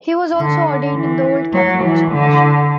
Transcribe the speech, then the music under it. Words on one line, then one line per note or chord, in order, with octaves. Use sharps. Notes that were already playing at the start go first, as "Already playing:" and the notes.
He was also ordained in the Old Catholic Church.
D3
E3
F#3
E3
D3